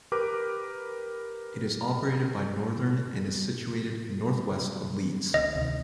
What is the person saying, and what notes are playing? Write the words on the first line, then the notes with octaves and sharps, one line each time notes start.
It is operated by Northern and is situated north-west of Leeds.
G4 A#4 B4 D6
D2 D3 D#5
D2 C3 D#3